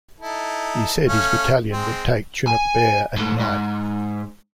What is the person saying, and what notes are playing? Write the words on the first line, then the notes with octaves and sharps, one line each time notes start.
He said his battalion would take Chunuk Bair at night.
D#4 E4 A4
A3 C#4 F5
G#3 C4
G#5
G#2 A3
G#2